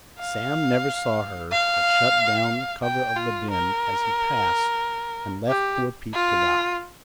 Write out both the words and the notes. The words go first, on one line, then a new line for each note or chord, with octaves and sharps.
Sam never saw her, but shut down the cover of the bin as he passed, and left poor Peep to die.
F5
F5
G5
F4
A#4
G4
F4